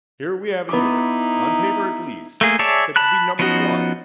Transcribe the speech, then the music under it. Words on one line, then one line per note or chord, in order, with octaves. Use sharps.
Here we have a unit, on paper at least, that could be number one.
B3 D#4 E4 D6
A3 A#3 G#4
G#4 C#5 D5 E5 A5
A5 B5 F#6
F3 B3 C#4 D#4 F#4